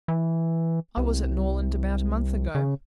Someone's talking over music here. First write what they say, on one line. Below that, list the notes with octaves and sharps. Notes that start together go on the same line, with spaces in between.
"I was at Norland about a month ago."
E3
C2
C#3